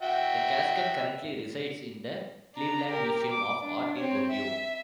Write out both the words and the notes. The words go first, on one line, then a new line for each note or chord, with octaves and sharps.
The casket currently resides in the Cleveland Museum of Art in Ohio.
F#4 E5 G5
D4 A#5
G4 A#4
D6
D4
C4 C#5
E5